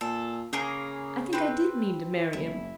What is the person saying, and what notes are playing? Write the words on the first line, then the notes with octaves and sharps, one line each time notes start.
I think I did mean to marry him.
A#2 A4
C#3 A#3 G#4 A#4
C4 B4
F#1 E4